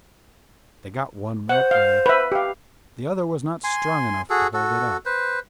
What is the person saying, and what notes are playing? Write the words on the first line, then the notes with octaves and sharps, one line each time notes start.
They got one rep ray. The other was not strong enough to hold it up.
C5 F#5
F5
B4 E5
G4 F5
G#5 C6
F#4 G#4 A4
F#4 A4
B4 C5